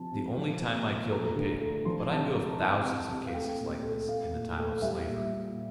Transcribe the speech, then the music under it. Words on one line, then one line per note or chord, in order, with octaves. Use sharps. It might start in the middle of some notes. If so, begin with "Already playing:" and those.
That was the only time I killed a pig, but I knew of thousands of cases like this in the time of slavery.
Already playing: C3 F3 A5
C3
F3
A#2
A#2
A3 A#5
D3
A3
F3 C6
C3 A5
C3 A#5
E3 A5
C3
C3
F5
A3 G5
A#2
A3
A3 F5
A#2
A3
G3 E5
A#2
A#2